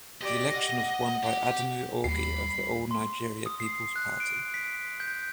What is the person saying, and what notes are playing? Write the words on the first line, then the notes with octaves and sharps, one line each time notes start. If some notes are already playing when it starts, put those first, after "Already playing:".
The election was won by Adamu Augie of the All Nigeria Peoples Party.
G4 D5 D#5
F#5
G4
D#2 G3 B5 C7
C6
D#6
C7
F#6
D7
B6
G6